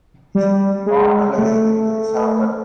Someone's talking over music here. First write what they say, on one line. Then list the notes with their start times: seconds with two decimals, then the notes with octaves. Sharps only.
This is not always the case, however.
0.35 G3
0.86 G#3
1.38 A3